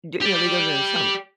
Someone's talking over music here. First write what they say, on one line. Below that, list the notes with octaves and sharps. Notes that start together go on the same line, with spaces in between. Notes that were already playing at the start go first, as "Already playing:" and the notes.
D you know, they go during the summer.
G4 D5